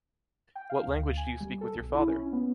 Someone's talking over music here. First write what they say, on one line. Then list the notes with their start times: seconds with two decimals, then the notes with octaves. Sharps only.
What language do you speak with your father?
0.55 G5
0.70 F5
0.87 D2
1.17 G#5
1.40 G3
1.61 A4
1.75 B1
1.95 E4
2.08 C#4
2.33 B3